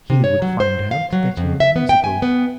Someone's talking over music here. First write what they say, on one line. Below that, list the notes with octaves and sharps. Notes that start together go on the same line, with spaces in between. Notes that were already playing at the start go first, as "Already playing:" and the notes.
He would find out that you are musical.
C3
C#5
F#3
C5
F5
F#3
F2
E5
B3
G5
G#5
B3